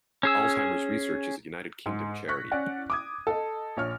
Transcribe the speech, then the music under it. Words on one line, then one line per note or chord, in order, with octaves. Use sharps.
Alzheimer's Research is a United Kingdom charity.
C#4 G#4 E6
G#2
C#6 F#6 A#6 B6
C#4 D5 F#5
D6 D#6 G#6
A4 D#5
A#1 C#5 F6